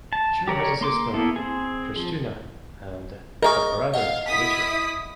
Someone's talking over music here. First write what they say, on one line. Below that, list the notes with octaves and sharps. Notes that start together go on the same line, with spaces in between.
Chu has a sister, Christina, and a brother, Richard.
A5
G4 A#4 C#5 D5
A#3 C6 D6
A#3 B3 E4 A4
C4 G#4
F3
G#4 A#4 D#5 E5 C#6
D#5 F5 F#5
E4 D#6 B6